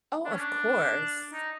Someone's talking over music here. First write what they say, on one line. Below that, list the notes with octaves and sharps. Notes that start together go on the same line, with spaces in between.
Oh, of course.
D4
C#4
D4
D#4